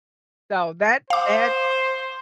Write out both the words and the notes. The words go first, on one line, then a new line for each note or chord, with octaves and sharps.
So that that,
C5 F5 D6